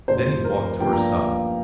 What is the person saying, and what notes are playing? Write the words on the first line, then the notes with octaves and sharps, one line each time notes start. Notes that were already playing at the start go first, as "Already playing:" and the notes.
Then he walked to her side.
F1 F2 C3 C5
A#4
G2 F3 A#3 D4 G5
A#5